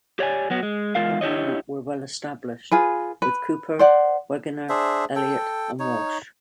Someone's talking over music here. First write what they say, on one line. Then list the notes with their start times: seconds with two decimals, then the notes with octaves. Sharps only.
The line-up were "well-established" with Kuepper, Wegener, Elliot, and Walsh.
0.19 G4 C#5 D5 G#5
0.50 F#3 B3 F#4
0.63 G#3
0.95 E2 G#3 F4 A#4 F5
1.21 D4 E4 G4 C#5 D#5
2.71 F4 G#4 B4
3.22 B4
3.79 C5 D5 F#5
4.69 D4 G#4 C5 E5
5.16 A4 G5
5.79 D#4 C#5